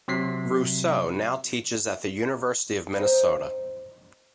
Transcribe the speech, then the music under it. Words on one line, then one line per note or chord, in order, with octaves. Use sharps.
Rousseau now teaches at the University of Minnesota.
C3 F#3 B6 C7
C4 D#4